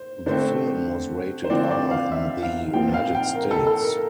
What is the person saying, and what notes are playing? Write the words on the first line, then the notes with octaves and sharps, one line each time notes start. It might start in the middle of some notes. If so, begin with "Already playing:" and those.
The film was rated R in the United States.
Already playing: C5
D3 A3 C4 C5
C5
D3 F3 C4 D5
D5
F5
E5
F5
A#2 F3 C4 G5
F5
G5
A#4
A4
A4
A#4